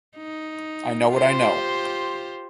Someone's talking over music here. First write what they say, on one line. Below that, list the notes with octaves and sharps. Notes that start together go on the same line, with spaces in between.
I know what I know.
D#4
F4 G4 C5